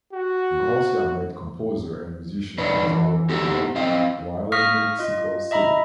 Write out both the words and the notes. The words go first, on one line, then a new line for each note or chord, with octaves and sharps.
Garcia met composer and musician Gonzalo Curiel while in Mexico City.
F#4
D4 D#4 B4 C#5
E3
B3 D#4 F#4 G4 A4
C4 D#5 F5
F5 C#6 D#6 F6 A#6 B6
F4 D#5
D#5 E5 A#5 B5